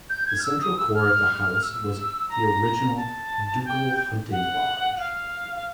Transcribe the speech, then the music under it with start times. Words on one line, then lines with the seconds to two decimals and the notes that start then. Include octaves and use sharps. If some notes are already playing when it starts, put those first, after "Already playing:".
The central core of the house was the original ducal hunting lodge.
0.10 G6
0.27 G#6
0.39 F6
0.43 E6
0.61 D#6
0.77 E6
0.94 F6
1.62 E6
2.29 A#5
2.97 A5
3.65 G5
4.31 F#5
4.95 F#5
4.99 F5
5.56 F5